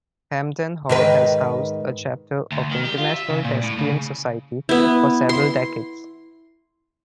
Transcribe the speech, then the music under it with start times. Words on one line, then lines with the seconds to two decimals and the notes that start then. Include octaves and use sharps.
Hamden Hall has housed a chapter of the International Thespian Society for several decades.
0.89 G#2 D#3 B4
2.52 D2
2.71 D#3
2.85 G4
2.98 F4
3.11 E5
3.30 C#3
3.44 A#2
3.63 A2
3.78 C#3
4.69 B3 E4
5.29 C6